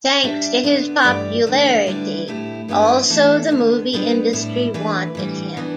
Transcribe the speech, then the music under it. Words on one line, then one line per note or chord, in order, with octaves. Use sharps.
Thanks to his popularity, also the movie industry wanted him.
G3 D4 G4 E5
D3 B3 D4
G2 E3 A3 G4 D5
E2 D3 A3
D3 G3 E4 B4 D5
A2 A3 E4 G4
G2 E3 B3 E4 G4
E3 A3 D4 A4
E2 D3 B3
G3 B3 D4 G4 B4
A2 G3 E4
E3 A3 D4 B4
A2 E3 G3
E3 B3 D4